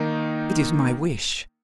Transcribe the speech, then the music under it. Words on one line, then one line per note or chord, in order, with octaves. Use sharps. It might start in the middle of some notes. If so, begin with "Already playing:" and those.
It is my wish.'
Already playing: D#3 A#3 D#4